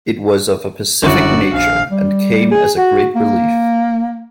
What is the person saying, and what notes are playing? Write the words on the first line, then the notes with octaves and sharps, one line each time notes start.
It was of a pacific nature, and came as a great relief.
G1 F#2 E4 F#4 D5
A#1 F5
G3
G#4
F#4
A#3